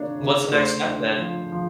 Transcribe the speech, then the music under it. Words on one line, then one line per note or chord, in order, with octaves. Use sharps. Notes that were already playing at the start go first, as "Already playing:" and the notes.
what's the next step then
Already playing: A#3 D4 C#5
C#3
A3 C5
D4
F3
F3